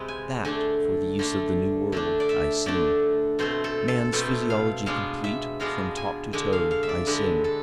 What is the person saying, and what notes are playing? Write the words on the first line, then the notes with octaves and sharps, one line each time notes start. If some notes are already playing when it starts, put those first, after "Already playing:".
That, for the use of the New World, I sing. Man's physiology complete, from top to toe, I sing.
Already playing: C3 G#3 C4 B4
G#5
D3 A3 D4 G#5
D3 A3 D4
D3 A3 D4
D5
E5
D3 A3 D4 D5
B2 A3 C4 C5
A4
A4
B2 A3 C4 B4
F5
B2 G#3 B3 D4 F5
E5
B2 G#3 B3 D4 F5
G#5
D3 G#3 D4 G#5
F5
F5
E5
D5
D3 G#3 D4 B4
A4